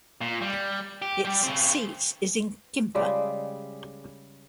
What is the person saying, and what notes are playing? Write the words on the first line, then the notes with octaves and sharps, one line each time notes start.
Its seat is in Quimper.
A#2
G3
G4
G3 G4
C#3 C4
C#3 G3 G#3